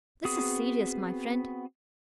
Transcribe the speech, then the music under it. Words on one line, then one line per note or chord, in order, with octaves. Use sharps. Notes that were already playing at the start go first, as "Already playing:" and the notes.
This is serious, my friend!
B3 C4 F#4 G#4 D#6